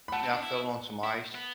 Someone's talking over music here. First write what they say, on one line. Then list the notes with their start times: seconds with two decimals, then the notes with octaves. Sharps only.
I fell on some ice,
0.08 B5
0.12 A3 F#5 A5
0.23 C4
0.32 D4
0.43 E4
1.04 E4
1.34 B3